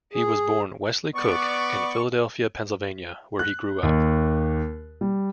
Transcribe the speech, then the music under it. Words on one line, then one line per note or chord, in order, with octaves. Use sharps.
He was born Wesley Cook in Philadelphia, Pennsylvania, where he grew up.
G#4
B3 D5 C#6
F#6
D#2
G3